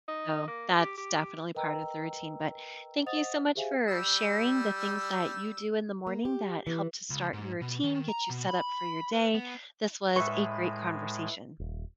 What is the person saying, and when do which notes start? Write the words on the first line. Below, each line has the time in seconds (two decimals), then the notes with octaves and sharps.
so, that's definitely part of the routine, but thank you so much for sharing the things that you do in the morning that help to start your routine, get you set up for your day, this was a great conversation.
0.08 D#4
0.48 A#3
0.79 G4
0.97 G4
1.55 A#4 B4 D#5 G5 A#5 E6
3.06 C5 D#5 F#5 D#6 A6 F7
3.55 G4 G#4 C5 E5 F5 G#5
3.88 G3 E6
6.07 A#3
6.25 G4
6.67 E3
7.10 C#2
7.33 G#2
7.61 B2
7.84 D#3
8.08 A#5
8.29 B2
8.48 B5
9.12 B4
9.34 B3
10.16 A2 G#3 B4 E5 C#6
11.59 D#1